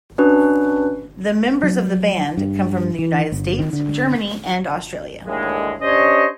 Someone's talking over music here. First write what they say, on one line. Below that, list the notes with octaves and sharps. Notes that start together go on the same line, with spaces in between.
The Members of the band come from The United States, Germany, and Australia.
C#4 D4 F#4 B4
F#3
G2
E3
G1
D#3
D3
D#2 A2 D3 G#3
C#4 D4 G4 C5 C#5 D#5